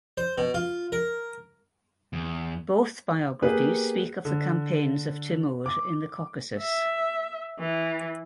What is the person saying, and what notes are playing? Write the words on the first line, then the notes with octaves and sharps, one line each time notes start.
Both biographies speak of the campaigns of Timur in the Caucasus.
C5
B2
F4
A#4
E2
A#3 B3 G4 G#4 B4
D3
D6
E5
E3